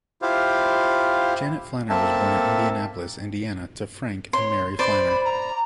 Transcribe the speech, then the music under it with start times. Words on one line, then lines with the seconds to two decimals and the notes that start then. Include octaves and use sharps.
Janet Flanner was born in Indianapolis, Indiana to Frank and Mary Flanner.
0.22 E4 F4 G4 C5 F5
1.89 A#3 C4 A4 E5 A5
4.33 C#5 C6
4.79 C5 D5 B5
5.25 A#5